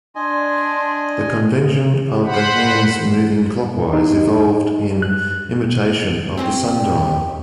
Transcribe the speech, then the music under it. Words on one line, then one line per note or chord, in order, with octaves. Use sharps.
The convention of the hands moving clockwise evolved in imitation of the sundial.
D4 D#5 G#5 C6
C5 F#5 B5
D#4
F#6
C4 C#4 C5 G5